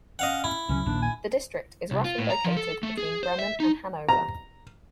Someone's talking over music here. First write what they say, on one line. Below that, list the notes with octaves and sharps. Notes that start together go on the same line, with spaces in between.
The district is roughly located between Bremen and Hanover.
C#4 D#5 F5 F#5
E4
C#2 C#3 F#3 C#4
A#1 D#2 A#2 D4
G#5
C2
F4
A2
A#5
F3
A4
A3
G#4
C5
E5
D#4
A#5